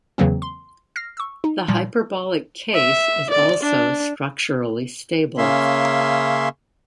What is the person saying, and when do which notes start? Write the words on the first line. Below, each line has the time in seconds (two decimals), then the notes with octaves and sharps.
The hyperbolic case is also "structurally stable".
0.18 E2 C#3 E3 F#3 A#3 C4
0.42 C6
0.96 F6 A#6 C7
1.17 C#6 E6
1.44 D#4
1.68 A#2 F3 G3
2.74 E5
3.30 D5
3.63 D4
5.38 C#3 A#3 C#4 E5 C6